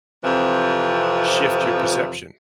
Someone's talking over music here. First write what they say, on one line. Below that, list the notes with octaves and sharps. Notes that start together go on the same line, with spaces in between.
shift your perception.
F2 C3 E3 F3